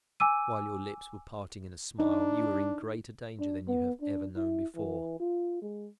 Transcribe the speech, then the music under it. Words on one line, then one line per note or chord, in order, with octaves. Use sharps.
While your lips were parting in a smile, you were in greater danger than you have ever known before.
G#5 D6 E6 D#7
D4 D#4
D4
B3
D4
E4
E3
F4
G#3